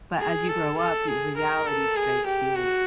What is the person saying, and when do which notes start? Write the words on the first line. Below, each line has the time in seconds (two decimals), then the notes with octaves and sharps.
But as you grow up, y reality strikes you, and
0.19 G#4
0.48 A4
0.78 A4
1.07 G#4
1.37 A#4
1.67 A4
1.96 G#4
2.26 G4
2.55 F#4